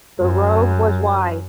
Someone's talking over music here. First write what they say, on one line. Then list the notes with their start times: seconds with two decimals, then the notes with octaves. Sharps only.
The road was wide.
0.20 F#2